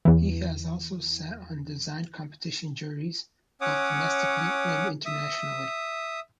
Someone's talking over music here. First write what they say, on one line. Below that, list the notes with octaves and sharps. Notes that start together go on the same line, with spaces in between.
He has also sat on design competition juries, both domestically and internationally.
E2 E3
C#4 C#5 F#5 D6 D#6
E5 D#6